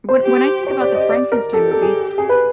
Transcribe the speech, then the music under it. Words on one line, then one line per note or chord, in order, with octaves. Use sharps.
When when I think about the Frankenstein movie,
C5
G4
G4 C#5
D5
D#5
D5
A#4
G4 A4
A4
G#4
G#4
B4